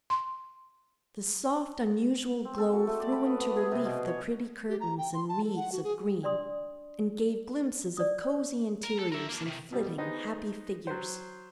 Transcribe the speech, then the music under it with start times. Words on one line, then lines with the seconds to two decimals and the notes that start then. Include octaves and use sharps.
The soft, unusual glow threw into relief the pretty curtains and wreaths of green, and gave glimpses of cosy interiors and flitting happy figures.
0.10 C6
2.45 C4
2.58 A4
2.73 F#4
2.87 A3
3.00 D5
3.12 B5
3.26 B3
3.41 B3
3.56 G#4
3.72 C3
3.85 B2
4.07 C#5
4.69 G4
4.80 A#5
4.98 G5
5.14 C6
5.28 A5
5.43 A4
5.56 F#5
5.72 F#4
5.84 G#4
6.23 D4 D5 C6 D#6
7.97 D5 D#6
8.84 A#4
8.99 A4
9.12 A#4 E5
9.29 A#3 D4
9.46 C3 D#3
9.72 B2 G3
9.98 B3 D#4 G#4 C5 D#5
10.87 F#3 C5